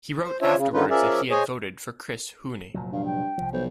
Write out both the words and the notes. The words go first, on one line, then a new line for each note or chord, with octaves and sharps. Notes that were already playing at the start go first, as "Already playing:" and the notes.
He wrote afterwards that he had voted for Chris Huhne.
C5
C#4 D4 F4 C5 C#5 E5
C#3
D3 D#3 C#4 D#4 F4 B4
F3 C#4 G#4 A#4 D5 E5
G#4 C5 C#5 D#5 G#5
F1 A#2 F#3
G2 F5
G5
C2 F3
B1 C5